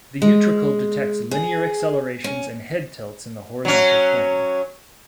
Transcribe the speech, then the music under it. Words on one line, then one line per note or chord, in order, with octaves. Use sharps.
The utricle detects linear accelerations and head-tilts in the horizontal plane.
G#3
G#4
C#4
F#3 C#4